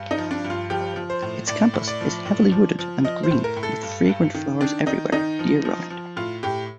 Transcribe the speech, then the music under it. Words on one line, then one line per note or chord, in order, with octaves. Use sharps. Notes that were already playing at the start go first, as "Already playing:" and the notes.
Its campus is heavily wooded and green, with fragrant flowers everywhere year-round.
Already playing: G2
D#4
F3
D4
G2
F4
F3 G4
F3
C5
A2
A2 D5
A2
D5
F3
A2
F3
F3
F3 D#5
C5
A2
A#4
A2
A4
G2
G2
D#3
D#3 D4
D#3 D#4
D#3 D#4
F3
F3
F3
A2 F4
A2 G4